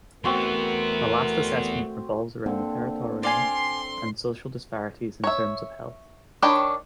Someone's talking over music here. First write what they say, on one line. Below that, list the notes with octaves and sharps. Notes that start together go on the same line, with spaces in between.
The last assessment revolves around the territorial and social disparities in terms of health.
E2 A3 B3 C4 F#4 A#4 C6
D3 A#3 C4
D5 F5 G#5 C6
C#5 E5
D#3 D4 C#5 G5 B5